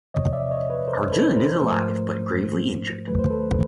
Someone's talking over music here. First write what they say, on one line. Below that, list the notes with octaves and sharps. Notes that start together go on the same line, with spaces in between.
Arjun is alive but gravely injured.
E2 C3 F3 C#5 D#5
D5 E5
C#5 D#5
B4 C#5
A#4 C5
A4 B4
A#4 C5
G#2 F3 A3 A#4 C5
D#2 D#3 F#3 A3 B4
C5
A4 B4